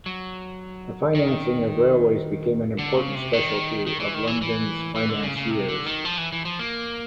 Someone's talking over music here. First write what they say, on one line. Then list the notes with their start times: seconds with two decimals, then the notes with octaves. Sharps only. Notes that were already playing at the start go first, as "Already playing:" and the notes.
The financing of railways became an important specialty of London's financiers.
0.06 F#3
1.15 D#3
2.79 D3
2.96 C#3
3.15 C3
3.33 D#3
3.87 D#3
4.00 E3
4.14 D#3
4.27 E3
4.42 E3
4.96 E3
5.09 D3
5.23 C#3
5.36 C#3
5.50 C3
5.69 D3
5.86 D#3
6.05 F3
6.18 E3
6.32 E3
6.45 F3
6.59 A#3